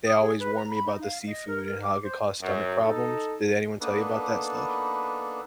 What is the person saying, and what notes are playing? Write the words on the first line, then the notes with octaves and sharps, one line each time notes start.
they always warn me about the seafood and how it could cause stomach problems. Did anyone tell you about that stuff?
D#6
G#4
B4
A#5
B5
D#4
F5
D#5
A#4
A#4
D6
C5
F#2
D#4 A4
A#3 B3 D4 D#4 A4 B4